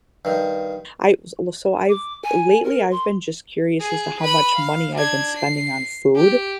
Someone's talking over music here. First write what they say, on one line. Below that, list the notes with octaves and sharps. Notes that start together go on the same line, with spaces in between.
I wa s so I've lately I've been just curious as to how much money I've been spending on food,
G2 D#3
D6
G#5
A#4
C6
G#4
B4 B5
F5
D4 G#6
C7
G4